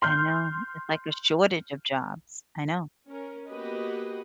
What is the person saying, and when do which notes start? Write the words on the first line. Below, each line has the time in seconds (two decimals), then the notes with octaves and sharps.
I know, it's like a shortage of jobs, I know.
0.02 C6 F6 G6
3.08 C#4 A#4
3.49 A#3 B3 F#4 G4 B4 D#5